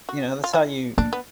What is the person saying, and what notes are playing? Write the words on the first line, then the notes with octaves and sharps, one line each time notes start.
You know, that's how you
F#4
F4
E4
A#3 D4
B3